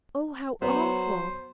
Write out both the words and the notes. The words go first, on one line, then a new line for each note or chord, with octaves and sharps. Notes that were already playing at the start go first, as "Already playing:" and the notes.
Oh, how awful!
F#3 B3 C5